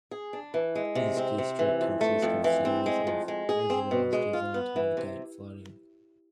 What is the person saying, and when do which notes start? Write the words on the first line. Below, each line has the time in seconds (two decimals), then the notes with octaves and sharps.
This district consists of a series of reservoirs designed to mitigate flooding.
0.11 G#4
0.33 D4
0.54 E3
0.75 G#3
0.95 C3
1.17 C4
1.38 C3
1.59 E3
1.81 F2
2.01 A3
2.22 F2
2.44 E3
2.65 C4
2.86 G#3
3.07 F2
3.28 G#3
3.49 G#4
3.70 C4
3.91 B2
4.13 G#3
4.33 F4
4.54 B3
4.76 E3
4.97 C3